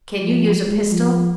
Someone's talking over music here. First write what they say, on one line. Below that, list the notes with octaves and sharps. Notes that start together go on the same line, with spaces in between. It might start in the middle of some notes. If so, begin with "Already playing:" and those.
"Can you use a pistol?"
F3
G#3
F3